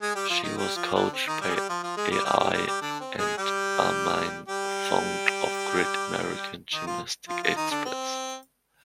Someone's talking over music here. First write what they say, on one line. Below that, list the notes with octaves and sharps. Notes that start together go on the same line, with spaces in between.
She was coached by Al and Armine Fong of Great American Gymnastic Express.
G#3 G#4
G3 G4
F3 F4
D#3 D#4
G3 G4
F3 F4
D3 D4
C4
D#3 D#4
G3 G4
G#4
G3 G4
F3 F4
F3 F4
G#3 G#4
G3 G4
G3 G4
G3 G4
G3 G4
G3 G4
D3 D4
C4
G#3 G#4
G3 G4
G3 G4
D#3 D#4
F3 F4
F3 F4
F3 F4
D#3 D#4
D3 D4
C4